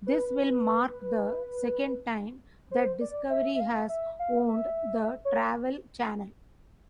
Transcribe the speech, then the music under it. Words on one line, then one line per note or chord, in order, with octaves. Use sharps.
This will mark the second time that Discovery has owned the Travel Channel.
B4
C5
D5
E5
E5
F5
E5
F5
E5
C#5